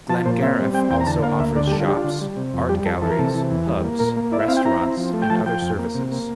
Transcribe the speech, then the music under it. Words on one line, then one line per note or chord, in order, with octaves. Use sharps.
Glengarriff also offers shops, art galleries, pubs, restaurants and other services.
F3 A5
A#2 C5
C4 E5
G3
C4 G5
E2 G5
A#5
D3 A5
A#3 F5
D2 E5
D3 D5
G4
G3 A4
F4
D4 G4
F4
D3
G3
C3
F2
G3 G4
F2 A4
E3 A4
A#4
C3 A4
E3
E2
G3
A#3
A#2 A#4
A#3
E4 D5
E5
C4 F5
G5
E4 A#5
C4
F3
A3
G5
F3 A5
F3 G5
F2
A#3
C3
A#3